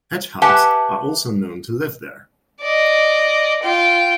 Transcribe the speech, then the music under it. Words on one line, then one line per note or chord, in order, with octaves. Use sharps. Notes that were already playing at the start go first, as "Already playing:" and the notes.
Hedgehogs are also known to live there.
G4 B4 E5 F#5 G#5 A5
D5 D#5
F4 G5